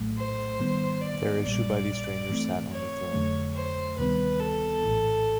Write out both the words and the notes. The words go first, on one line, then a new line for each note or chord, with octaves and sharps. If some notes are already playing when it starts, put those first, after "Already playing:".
Their issue by these strangers sat on the throne.
Already playing: A#1 A2 F#3 A3
C5
G#2 D#3 G3 B3
D5
A#1 A#2 G3 D5
G#2 E3 A3 C4
C#5
F2 D3 F#3 A3
C5
D2 C3 D#3 G3 B3 B4
A4
A#1 A2 E3